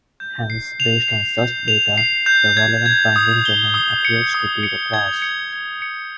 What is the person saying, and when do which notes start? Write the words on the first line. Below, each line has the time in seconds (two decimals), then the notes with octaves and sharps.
Hence based on such data, the relevant binding domain appears to be the clause.
0.20 G6
0.50 C7
0.80 F7
1.08 C7
1.38 G6
1.68 F7
1.98 C7
2.26 G6
2.57 G#6
2.86 G#6
3.16 D#6
3.45 G7
3.74 D#6
4.05 C#7
4.34 D#6
4.63 C#7
4.94 G#6
5.22 C#7
5.53 G#6
5.82 C#7